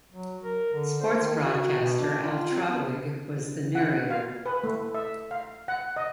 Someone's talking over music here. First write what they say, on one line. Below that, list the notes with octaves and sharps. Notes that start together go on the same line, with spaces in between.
Sports broadcaster Al Trautwig was the narrator.
F#3
A#4
D3
C5
D#3
F#4
F#4
B2
D4
F4
C4
B3
F#5
F5
B4
A3
E5
F5
F#5
D#5